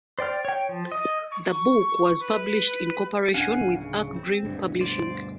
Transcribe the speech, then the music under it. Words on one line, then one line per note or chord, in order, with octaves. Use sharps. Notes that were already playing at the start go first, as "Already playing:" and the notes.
The book was published in cooperation with Arc Dream Publishing.
C5 D5 G5 F6
C#5 G5
F3
D#5
C#6
B4
D1 C#4 D4 F5 F#5 G#5
C#3
C4
D2 G2 B2
C5 D5